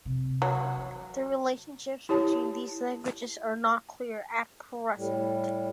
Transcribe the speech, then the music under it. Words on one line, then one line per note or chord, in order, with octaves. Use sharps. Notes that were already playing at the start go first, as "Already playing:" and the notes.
The relationships between these languages are not clear at present.
C3
F#3
E3
E4 G4 C#5 A5
A2 G3